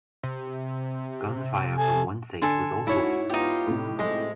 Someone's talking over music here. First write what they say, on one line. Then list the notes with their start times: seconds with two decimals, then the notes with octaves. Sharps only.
Gunfire from one side was also heard.
0.23 C3
1.78 A4 G#5
2.42 D3 A4 G#5 C6
2.87 G#2 C#4 E4 F#4 C#5
3.30 B3 D#4 F4 G4
3.67 A2 C3
3.99 B2 F3 G#3 A3